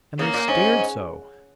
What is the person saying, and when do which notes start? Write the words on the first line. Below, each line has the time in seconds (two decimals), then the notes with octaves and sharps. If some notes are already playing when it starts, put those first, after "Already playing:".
And they stared so!
0.18 C#3 A#3
0.34 A#2
0.48 G#2 C#4